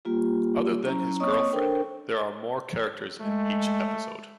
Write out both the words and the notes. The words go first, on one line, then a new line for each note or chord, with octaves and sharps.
Other than his girlfriend there are more characters in each episode.
G3 A#3 F4 G4
F#3 C#4 E4 A#5
A#3 C4 C#5 D#5 C#6 D#6
D4 A4 A#4 C5 G5
G#3 A3